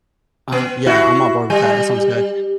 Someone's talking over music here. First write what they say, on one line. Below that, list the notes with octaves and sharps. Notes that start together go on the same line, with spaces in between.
Um, yeah, I'm on board with that, that sounds good.
B3
E4 F#4
G3